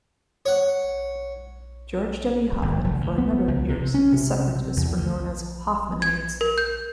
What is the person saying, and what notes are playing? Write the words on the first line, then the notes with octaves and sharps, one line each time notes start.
George W. Hoffman, for a number of years the separatists were known as "Hoffmanites".
C#5 F#5
G#1
F1
D2
B3
C#2
C3
C#4
C3
C3
E2
D2
G#6
A#4
G6